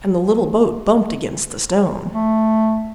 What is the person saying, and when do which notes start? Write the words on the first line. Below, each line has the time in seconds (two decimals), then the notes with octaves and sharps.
And the little boat bumped against the stone.
2.13 A3